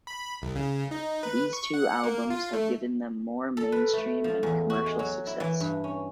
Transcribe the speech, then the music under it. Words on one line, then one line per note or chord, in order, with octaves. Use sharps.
These two albums have given them more mainstream and commercial success.
B5
C2
C#3
D#4
B4
C#6
F#5
A#3
F4
A3
A4
B4
A3
F3
E2
F#4
G#3
F#3
E4
E3
G2
C#4